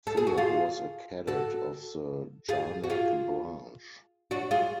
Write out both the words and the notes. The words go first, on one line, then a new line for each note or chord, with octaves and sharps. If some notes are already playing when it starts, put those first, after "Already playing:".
Philippe was a cadet of the Jarnac branch.
A4
G#4
F#4
F4 G#4
F#4 A4
F4 G#4
F#4
F4 G#4
D4 F#4
F4 G#4